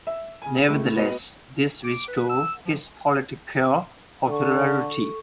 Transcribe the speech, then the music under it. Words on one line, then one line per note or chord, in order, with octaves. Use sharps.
Nevertheless, this restored his political popularity.
E5
C#3 G#5
C#2 A3
B3 F#4 D#5
D6
B4
E6
F3
D3 A4 C#6